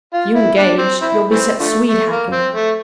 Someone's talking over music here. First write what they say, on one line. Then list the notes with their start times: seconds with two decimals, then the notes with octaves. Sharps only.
If you engage, you'll be set swede-hacking.
0.14 F4
0.35 E4
0.58 D4
0.79 C4
1.02 C4 E4
1.31 E3 A3 C4
1.60 D3 F3 A3
1.89 A3
2.10 A#3
2.32 C4
2.54 A3